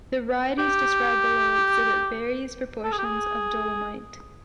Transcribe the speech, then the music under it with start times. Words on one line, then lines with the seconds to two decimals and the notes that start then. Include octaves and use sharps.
The varieties described below exhibit various proportions of dolomite.
0.58 G4
2.84 A4
2.92 G#4
2.98 G4
3.05 G#4